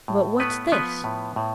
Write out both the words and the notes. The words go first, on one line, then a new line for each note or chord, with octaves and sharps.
"But what's this?"
A2
A3 B3 B4
F3 B3 B4
A2
A2